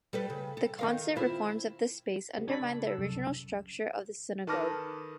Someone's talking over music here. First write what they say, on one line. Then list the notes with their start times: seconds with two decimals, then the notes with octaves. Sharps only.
The constant reforms of this space undermined the original structure of the synagogue.
0.13 G3 A4 B4
0.30 C#3
0.57 A4
0.79 D#3 A#4 F5
1.16 C4 E4 F4
2.36 C#3 G3 B3
2.48 D4 D5 G#5 A5 B5 C#6
2.64 C#3
2.85 A4
2.98 C2 F#2 C#3
4.47 D#3 A4 B4 D6 F6 A#6